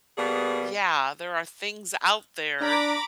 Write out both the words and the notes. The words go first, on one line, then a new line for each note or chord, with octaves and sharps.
yeah, there are things out there
B2 G3 A#3 B3 G#4
D4 A#5 B5 D6